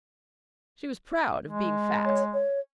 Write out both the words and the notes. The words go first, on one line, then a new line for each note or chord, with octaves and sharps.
She was proud of being fat.
G#3
C#5
C#5